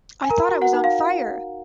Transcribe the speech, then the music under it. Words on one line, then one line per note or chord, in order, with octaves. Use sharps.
I thought I was on fire!
G#5
A#4 A#5
F#4
F#4 F#5
D#4
F5